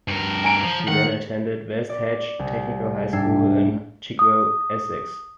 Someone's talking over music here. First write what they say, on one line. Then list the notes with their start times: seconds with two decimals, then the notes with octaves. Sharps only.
He then attended West Hatch Technical High School in Chigwell, Essex.
0.08 G2 A#4
0.44 G#5 A#5 D7
0.63 F3
0.88 D#3 F#5
1.89 D5
2.39 C2
3.13 G#2 G3 D4 E5 G#6 C7
4.19 D#6